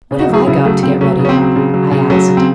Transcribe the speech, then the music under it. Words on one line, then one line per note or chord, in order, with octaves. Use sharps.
'What have I got to get ready?' I asked.
C#3
D#4 F#4
F#3 E4 G#4
C#3 E4 G#4
F#3 A3
C#3 C4
F#3 A3 C#4
C#3
C#4
C4
F#3
C4
C#3
F#3
C#3
F#3 A3 C#4
C#3
C4